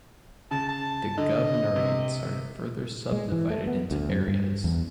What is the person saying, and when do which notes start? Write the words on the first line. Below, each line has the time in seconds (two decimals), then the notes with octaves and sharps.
The governorates are further subdivided into areas.
0.51 C#3 A5
0.69 A5
1.18 D3 D#5
1.76 C3
3.12 G#3
3.32 E3
3.50 A3
3.67 B3
3.91 D2
4.10 F#2
4.28 G2
4.64 E2